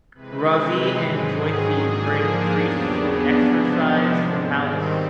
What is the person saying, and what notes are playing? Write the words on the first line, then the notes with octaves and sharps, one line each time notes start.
Ravi and Jyothi bring priests to exorcise the palace.
C3 E3 G#3 C4 B4
B4
G#2 D#3 F#3 G#4
G#2 F3 A#3 D4
E2 C#3 F#3 B3 D4 G4
G#4
C3 F3 G#3 B3 D4
G#2 D#3 G3 C4